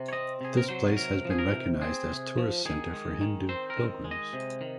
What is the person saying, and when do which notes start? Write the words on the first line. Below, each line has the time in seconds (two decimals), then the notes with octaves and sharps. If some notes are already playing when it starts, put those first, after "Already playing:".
This place has been recognised as tourist centre for Hindu pilgrims.
Already playing: C3
0.08 C#5
0.13 C4 D#5
0.41 C3 G#4
0.57 A#4
0.69 F#3 C5
0.97 C3 A#4
1.25 F3
1.31 G#4
1.39 A#4
1.52 C3
1.82 C4 G#4
2.08 C3
2.38 F3
2.65 D#3 G#4
2.93 G#3
3.21 D#3
3.49 C4 C5
3.70 A#4
3.77 D#3
4.05 G#3
4.11 D#5
4.33 C3
4.61 D#3